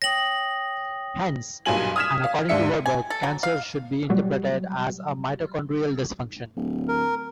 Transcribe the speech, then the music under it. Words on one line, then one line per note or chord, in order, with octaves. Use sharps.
Hence, and according to Warburg, cancer should be interpreted as a mitochondrial dysfunction.
C#5 G5 D#6 A#6 F#7
B1 G2 A#2 F#3 G#5 F#7
D#6 F6 G#6 B6 E7
F5
D#2 G#2 D4 E5 C#7
G#5
A4
F#3
F5
A#2 F#3 G3
D1
A#4